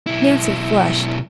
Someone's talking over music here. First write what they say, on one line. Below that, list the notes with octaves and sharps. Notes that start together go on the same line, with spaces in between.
Nancy flushed.
B1 E4